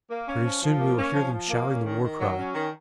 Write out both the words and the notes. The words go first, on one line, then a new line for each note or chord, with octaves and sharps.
Pretty soon we will hear them shouting the war-cry.
A#3
C#4
F3
F3
A#3
C#4
F3
F3
A#3
C#4
D#3
D#3
F#3
C#4
D#3